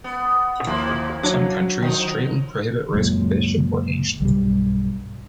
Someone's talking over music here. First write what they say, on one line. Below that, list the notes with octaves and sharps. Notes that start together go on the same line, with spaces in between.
Some countries straightly prohibit risk fish importation.
B3
D#2 F3 A#3 E4 C6
F#3 D4 C#5
D#3 F3 D#4
C#2 F#2 A#2 G#3
B1 G2 G3